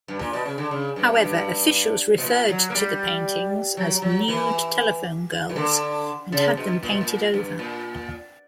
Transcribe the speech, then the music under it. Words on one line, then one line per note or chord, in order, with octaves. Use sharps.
However officials referred to the paintings as "Nude Telephone Girls" and had them painted-over.
G2
A#2
B2
C#3
D3
C#3
G2
G2
B2
A#2
F#3
A#3
G3
F#3
F#3
E3
E3
D3
C#3
B2
A#2
B2
A#2
G2
A#2